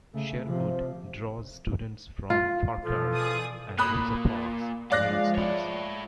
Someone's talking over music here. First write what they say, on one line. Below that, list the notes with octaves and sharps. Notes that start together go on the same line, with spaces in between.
Sherwood draws students from Farquhar and Rosa Parks Middle Schools.
C#3 A3
C3 F3
F4
B2 E3 F3 F4 A4
G#4 D5 D#6
A#2 B5 D#6 F#6
F3 G#3 D5 F5 F#6 A#6
E4 C#5